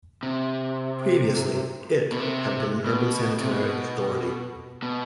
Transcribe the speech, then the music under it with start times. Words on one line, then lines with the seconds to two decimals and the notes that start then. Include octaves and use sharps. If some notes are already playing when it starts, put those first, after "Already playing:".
Previously, it had been an urban sanitary authority.
0.23 C3
2.12 B2
2.20 C3
2.86 B2
3.40 C3
3.51 B2
4.83 B2